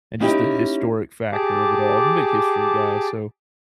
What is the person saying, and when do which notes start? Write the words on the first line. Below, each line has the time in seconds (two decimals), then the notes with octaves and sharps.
and just the historic factor of it all. I'm a big history guy, so
0.20 A#3 C#4 D#4 E4 G4
1.33 G4 G#4 A5 D6